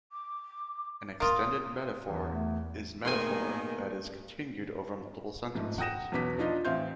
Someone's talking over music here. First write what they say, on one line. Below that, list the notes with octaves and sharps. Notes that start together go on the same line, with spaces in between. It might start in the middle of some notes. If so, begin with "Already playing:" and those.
An extended metaphor is metaphor that is continued over multiple sentences.
D6
A#3 F4 D#6
E2
A3
B2 D#3 G3 A3 A#3 G#4 G#5 C6
G#2 F3 A3
F#5 G5 D#6 A#6 E7
B1 E2 C#4 B4 D6 B6
F3 D4 D#4 F4 D#5
A1 C4 E5 F5 C6 G6